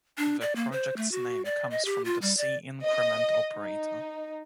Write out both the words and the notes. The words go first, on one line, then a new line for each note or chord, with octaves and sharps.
The project's name comes from the C increment operator.
D4
D5
A#3
C5
A3
F#4
D5
D#5
G4
F4
G3
D5
D#5
D#4